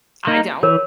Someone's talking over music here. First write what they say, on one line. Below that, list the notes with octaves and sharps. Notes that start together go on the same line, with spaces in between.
I don't.
A#3 D#4
E3 A#4 C#5